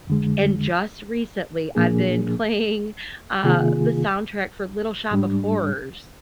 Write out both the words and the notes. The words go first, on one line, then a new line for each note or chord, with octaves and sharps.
and just recently, I've been playing, uh, the soundtrack for Little Shop of Horrors,
F2 D3 G#3
A#2 F3 A#3 D4 G#4
C3 D#3 A#3 F4 G#4
G#2 G3 D4